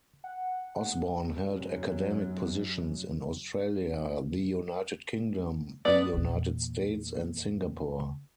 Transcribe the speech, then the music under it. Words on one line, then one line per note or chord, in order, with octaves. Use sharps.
Osborne held academic positions in Australia, the United Kingdom, the United States and Singapore.
F#5
F#2 F#3
B3 D5
E2 A#2